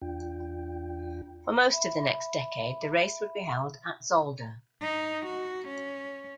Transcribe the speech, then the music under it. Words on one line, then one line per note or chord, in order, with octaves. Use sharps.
For most of the next decade, the race would be held at Zolder.
E2 D4 F4 G5
E5 B5
D#4
F#4
C#4